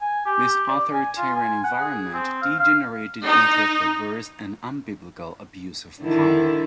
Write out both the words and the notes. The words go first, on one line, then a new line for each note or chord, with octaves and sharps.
This authoritarian environment degenerated into a perverse and unbiblical abuse of power.
G#5
G4
D5
G#5
F4
G#5
F#5
G#4
C4
F5
F5
D#4
D3 D#3 E4